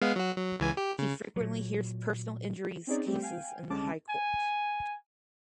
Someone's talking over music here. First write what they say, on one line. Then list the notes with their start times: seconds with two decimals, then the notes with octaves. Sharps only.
He frequently hears personal injuries cases in the High Court.
0.02 G#3 B3 F5
0.16 F#3 F#4
0.36 F#3
0.60 C#2 E3 G#5
0.77 G4
0.99 C#3
1.36 A#2 F#3
2.87 C4 C#4 D#4 G#4 D5
3.06 G3 A3 C4 G4
3.22 F5 G5 G#5
3.69 C2 D3 G#3 C#4 A5 D6
4.10 G#5